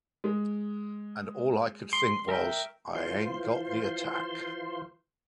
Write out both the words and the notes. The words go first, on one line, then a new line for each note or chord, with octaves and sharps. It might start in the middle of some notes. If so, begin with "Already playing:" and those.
And all I could think was, 'It ain't got the attack.
G#3
C6
A#4 E5 G5
E3 F4 C5 C6